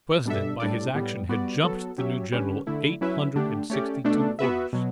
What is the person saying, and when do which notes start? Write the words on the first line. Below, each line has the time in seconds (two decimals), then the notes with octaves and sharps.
The President, by his action, had "jumped" the new General eight hundred and sixty-two orders.
0.25 B2 G3 D4 A4 E5
0.60 A2 G3 D4 A4 D5
0.95 A2 G3 B3
1.29 G3 B3 F#4 B4 D5
1.63 F#3 B3 F#4 A4
1.98 F#3 C#4 G4 C#5 E5
2.32 D3 G3 C#4 G4 B4
2.67 D3 A3 E4
3.01 F#3 C#4 E4 B4 E5
3.36 D3 A3 D4 G4
3.70 A3 C#4 G4 D5
4.04 B2 A3 D4 A4
4.39 B3 F#4 B4 E5
4.73 B2 F#3